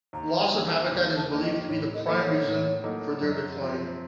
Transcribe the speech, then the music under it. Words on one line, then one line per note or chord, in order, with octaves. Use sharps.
Loss of habitat is believed to be the prime reason for their decline.
D#2 A#5
D#3 A#3
D#2
A5
D#3 A#3
D#5
A2 C#5
D#5
F#3 A#3 D#4 A4
C#5
A2
F#3 A#3 D#4 A4
F#2
F3 C4